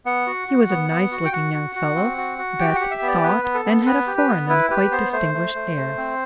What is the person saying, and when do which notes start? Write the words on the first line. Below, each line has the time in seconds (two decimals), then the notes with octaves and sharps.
He was a nice looking young fellow, Beth thought, and had a foreign and quite distinguished air.
0.06 B3 F#5
0.27 F#4
0.48 F#4
0.69 B3
0.90 B3
1.12 F#4
1.25 G5
1.32 F#4 F#5
1.54 F#4
1.75 F#4
1.96 C4
2.17 F#4
2.38 F#4
2.59 G4 G5
2.75 G4 F#5
2.91 E5
3.02 B3
3.08 D5
3.23 B3 B4
3.44 B3
3.54 A4
3.65 B3
3.86 B3 B4
4.07 G4
4.18 B4
4.28 B3
4.49 E4 B4
4.70 G4 B4
4.91 B3 C5
5.13 A3 C5
5.34 A3
5.54 A3
5.76 A3
5.97 C4